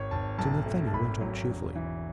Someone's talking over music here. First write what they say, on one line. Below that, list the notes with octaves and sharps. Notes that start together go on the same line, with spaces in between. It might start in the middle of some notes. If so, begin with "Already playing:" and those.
Sir Nathaniel went on cheerfully.
Already playing: G#1 C#5
G#1 A5
B1 A5
A3
A5
G#1 B5
F#3
E1
E3